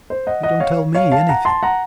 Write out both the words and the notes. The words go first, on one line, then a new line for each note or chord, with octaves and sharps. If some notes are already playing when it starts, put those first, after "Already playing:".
You don't tell me anything.
C5
D#5 F#5
D#5 F#5
C#5 F5
C#5 F5
F5 A5
F#5 A#5
A5 C6
F#5 A#5